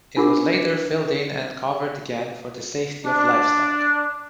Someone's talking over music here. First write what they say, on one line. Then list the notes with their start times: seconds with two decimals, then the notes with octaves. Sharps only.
It was later filled in and covered again, for the safety of livestock.
0.17 D4 F4 G4 A#4 F#5 D6
3.05 D4